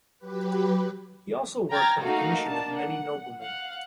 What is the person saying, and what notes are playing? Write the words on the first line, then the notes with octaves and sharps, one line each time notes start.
He also worked on the commission of many noblemen.
F#3 G4 B4
G5 A#5 F6 G#6 A6
A3 A#3 D#4 F#4 F5
A#3 D4 A5
F#5
F5 F#5